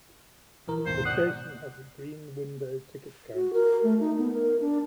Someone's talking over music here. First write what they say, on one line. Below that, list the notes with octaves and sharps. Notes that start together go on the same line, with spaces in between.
The station has a Green Window ticket counter.
A#1 E3 A#4
D#2 G#2 B2 C5
B2 D5 F#5 D#6
F#4
A#4
A3
D#4
B3
A#4
D4